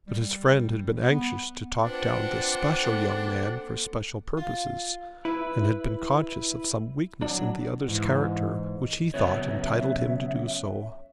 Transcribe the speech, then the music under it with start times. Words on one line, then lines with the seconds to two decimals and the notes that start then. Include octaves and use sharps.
But his friend had been anxious to talk down this special young man for special purposes, and had been conscious of some weakness in the other's character which he thought entitled him to do so.
0.08 G3
1.10 B3
1.83 C4 D4 F4 B4 F#5
2.80 A#3 A4
4.37 F4
5.25 E4 B4
7.22 F#3 D4
7.88 G#2 E3
9.14 C#3 F#3 B3 C#5 E5